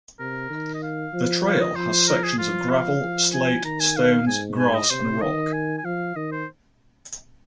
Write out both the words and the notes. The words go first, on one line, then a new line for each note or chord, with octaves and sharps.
The trail has sections of gravel, slate stones, grass and rock.
C3 A#4
D#3
D#5
F5
F3
F5
D#5
F3 C5
A#4
G#4
F3 F4
F5
F3
G#5
D#3 A#5
G#5
F5
G#2 G#5
G#5
D#5
C3 C5
D#3 D#5
G#5
G#5
F3 F5
D#3 D#5
C5